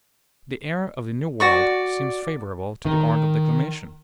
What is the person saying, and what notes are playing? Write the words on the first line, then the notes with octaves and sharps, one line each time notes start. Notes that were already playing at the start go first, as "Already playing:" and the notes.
The air of the New World seems favourable to the art of declamation.
F#4 D5 C#6
D#3